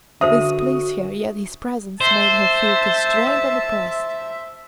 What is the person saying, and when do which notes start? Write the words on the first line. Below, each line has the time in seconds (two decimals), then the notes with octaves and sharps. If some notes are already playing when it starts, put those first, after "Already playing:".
This pleased her, yet his presence made her feel constrained and oppressed.
0.21 D3 F#4 A#4 C5 E5 D#6
2.01 C5 E5 A5